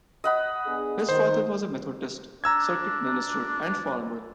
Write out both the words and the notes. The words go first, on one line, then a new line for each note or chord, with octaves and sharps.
His father was a Methodist circuit minister and farmer.
D#5 F#5 B5
B3 D4 G#4
D#3 C5
D4 A#5 E6 G#6